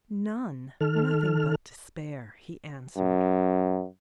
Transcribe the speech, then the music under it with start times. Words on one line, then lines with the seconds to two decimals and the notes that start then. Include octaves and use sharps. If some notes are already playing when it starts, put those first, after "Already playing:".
"None--nothing but despair!" he answered.
0.81 D#3 A4 F6
2.98 F#2